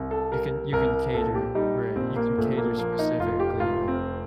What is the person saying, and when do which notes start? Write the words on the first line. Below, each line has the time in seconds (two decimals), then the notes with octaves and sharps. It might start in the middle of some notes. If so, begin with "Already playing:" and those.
You can you can cater, right? You can cater specifically to
Already playing: C2
0.11 A4
0.32 G3 A#4
0.72 C2 A#4
1.14 A#1 A4
1.35 G4
1.55 G3 D#4
1.96 A#1 C4
2.16 A#3
2.38 A#1 A3
2.57 A#3
2.78 F3 A#3
2.99 D#4
3.19 F1 F4
3.40 G4
3.60 F1 F4
3.88 C4